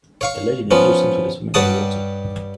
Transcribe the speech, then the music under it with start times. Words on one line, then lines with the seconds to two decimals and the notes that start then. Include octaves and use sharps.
A lady in a blue swimsuit is swimming underwater.
0.21 C#5 F5 C#6
0.71 F3 B3 C#4
1.54 G2 G3 C#5 F#5 A5 D#6